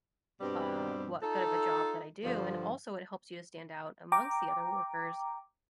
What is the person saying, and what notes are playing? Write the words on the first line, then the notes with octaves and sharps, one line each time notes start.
uh, what good of a job that I do." And, also, it helps you to stand out amongst the other workers.
G2 B2 G3 C4
D#4 F4 A4
G2 D3 F3
G5 A#5 D6